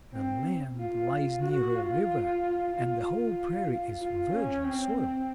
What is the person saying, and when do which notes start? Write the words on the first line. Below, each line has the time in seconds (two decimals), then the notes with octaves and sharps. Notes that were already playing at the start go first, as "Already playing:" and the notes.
"The land lies near a river, and the whole prairie is virgin soil."
0.12 C4
0.76 F4
1.41 F#4
1.73 F4
2.70 F4
3.99 F4
4.31 C#4
4.64 C4